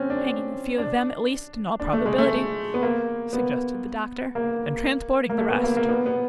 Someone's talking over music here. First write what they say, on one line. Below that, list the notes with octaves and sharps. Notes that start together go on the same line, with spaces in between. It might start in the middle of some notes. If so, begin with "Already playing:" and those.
'Hanging a few of them at least, in all probability,' suggested the doctor, 'and transporting the rest.'
Already playing: C4 C#4
D4
D4
D4
A3
G#3
A3
B3
A#3
B3
A#3
A#3
A3
B3
A#3
A#3
B3
B3